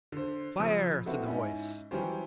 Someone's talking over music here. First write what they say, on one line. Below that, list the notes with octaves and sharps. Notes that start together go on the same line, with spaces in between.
"Fire!" said the voice.
D3 C5
C#3 F3 D#6 E6
B3 C4 E4 F#4 A4
G#2 C#4 E4
E3 F#3 G3 C#4 G4 C5